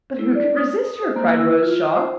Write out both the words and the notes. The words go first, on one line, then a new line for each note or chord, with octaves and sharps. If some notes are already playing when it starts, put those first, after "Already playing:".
"But who could resist her?" cried Rose Shaw.
E4
D5
D#6
C5
A#3
E4
F4
C5